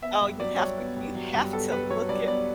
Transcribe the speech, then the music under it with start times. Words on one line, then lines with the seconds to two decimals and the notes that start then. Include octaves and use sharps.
Oh, you have to you have to look it
0.02 B3 E5
0.21 G2
0.39 F#3 D5
0.59 G2 C#5
0.78 B3
0.96 G2
1.15 F#3
1.34 G2
1.53 B3 A4
1.72 G2 B4
1.90 F#3 C#5
2.09 G2 D5
2.28 B3 D5